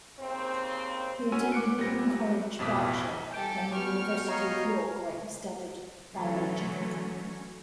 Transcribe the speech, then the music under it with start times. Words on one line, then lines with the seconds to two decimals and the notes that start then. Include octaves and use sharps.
He attended Eton College, Berkshire, then the University of York, where he studied Biology.
0.19 D#2 C#3 C4
1.32 C#4 F#4 G#5 E6 D#7
1.52 D6 F#6 C#7 D7
1.78 A#2 G3 B3 C4 A#6
2.59 A1 F2 B2 D6 B6
3.31 G3 G4 A4 G#5 G6 D7
3.72 F#3 B3 G5 C#6 F6
4.28 C#5 D#5 F5 A#5
6.11 D3 E3 F#3 A3 C#4